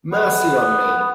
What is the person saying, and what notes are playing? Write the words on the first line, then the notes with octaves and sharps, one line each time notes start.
Mercy on me!
B3